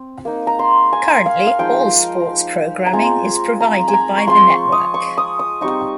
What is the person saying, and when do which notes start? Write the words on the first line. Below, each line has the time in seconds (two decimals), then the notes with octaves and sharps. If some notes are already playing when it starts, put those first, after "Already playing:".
Currently, all sports programming is provided by the network.
Already playing: C4
0.25 A#3 D#4
0.47 A#5
0.59 C6
0.93 G#5
1.26 F5
1.47 F5
1.59 F3 G#3 D#4 G5
2.86 A#5
2.93 G#3 C4 F4 G#5
3.60 A#5
3.88 G#5
3.93 A#5
4.18 C#6
4.27 F3 G#3 C4 F4 C6
4.50 C#6
4.72 D#6
4.94 C#6
5.18 D#6
5.39 D#6
5.61 G3 C4 D#4 C#6